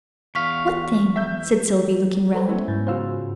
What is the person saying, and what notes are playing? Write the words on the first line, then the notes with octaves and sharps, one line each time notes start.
"What thing?" said Sylvie, looking round.
E2 F5 C#6 B6
E5 G6
A4 B4 C5
B3 C#4 E4
G#2
C#3 F4 F#4 C5 F5 E6